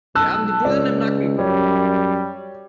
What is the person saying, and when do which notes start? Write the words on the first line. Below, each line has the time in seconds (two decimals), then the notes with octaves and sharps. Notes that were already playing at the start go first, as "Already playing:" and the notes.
Wir haben die Bullen im Nacken.
0.15 B1 A5 E6 F#6
0.65 C#2 C#5 D5
1.39 F#2 G3 C#5